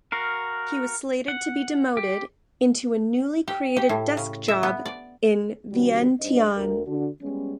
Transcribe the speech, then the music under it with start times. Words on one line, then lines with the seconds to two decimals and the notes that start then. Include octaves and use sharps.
He was slated to be demoted into a newly created desk job in Vientiane.
0.12 F#4 A#4 F5
1.28 F#5
1.97 G4
3.48 G4
3.77 G4
3.89 A2
4.17 C#3
4.48 E5
4.63 B3
4.86 D5
5.72 C3 D#3 G3 C#4 F#4
6.20 G2 D4 C5 D#5
6.56 D2 A#4
6.87 D3 D4 F#4
7.22 G3 G#3 B3 C#4